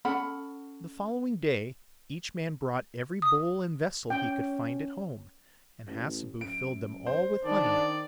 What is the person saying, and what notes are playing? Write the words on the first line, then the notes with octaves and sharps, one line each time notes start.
The following day each man brought every bowl and vessel he could find at home, and Hassebu filled them all with honey.
C#4 A4 F#5 B5
D#6
C#4 G5
A1
F#2 D7
C5
D#3 D4 D5